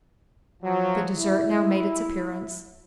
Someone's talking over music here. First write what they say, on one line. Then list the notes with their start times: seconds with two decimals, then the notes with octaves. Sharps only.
The dessert now made its appearance.
0.63 F3 F#3
1.17 E4